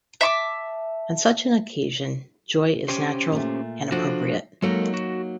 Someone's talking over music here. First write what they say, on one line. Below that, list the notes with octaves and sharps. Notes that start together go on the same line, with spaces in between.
On such an occasion, joy is natural and appropriate.
E5 A5 C#6 D6
C#4 G4 C5
A#2 A3
F3 D4 F#4 A4
F#3 G#3 A#3 D#4 A4 A#4
F#4